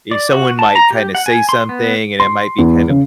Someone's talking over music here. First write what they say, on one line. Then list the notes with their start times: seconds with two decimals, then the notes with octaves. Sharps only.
someone might kinda say something, and it might be kind of
0.11 D5
0.33 F#4
0.59 A5
0.75 A#5
0.91 G4
1.15 F#5
1.26 G#5
1.49 C6
1.69 B3
2.20 C6
2.58 E2
2.90 C#3